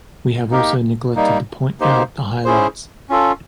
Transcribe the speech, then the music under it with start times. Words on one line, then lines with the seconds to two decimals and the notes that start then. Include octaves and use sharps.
We have also neglected to point out the highlights.
0.51 A#3 D#4 G4 A#4
1.15 G3 A#3 D#4
1.80 A#3 D#4 G4 C5
2.45 C#4 E4 G#4 C5
3.10 C#4 F4 A4